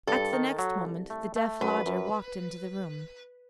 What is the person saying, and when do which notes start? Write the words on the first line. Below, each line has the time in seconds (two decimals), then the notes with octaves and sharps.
At the next moment, the deaf Lodger walked into the room.
0.07 G2 A4
0.33 D#3
0.59 F#3
0.85 C2
1.10 A3
1.36 A3
1.61 F#2 B4
1.86 F#2